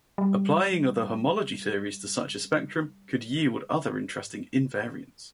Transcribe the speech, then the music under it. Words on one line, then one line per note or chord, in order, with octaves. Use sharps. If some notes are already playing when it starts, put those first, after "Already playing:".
Applying other homology theories to such a spectrum could yield other interesting invariants.
G3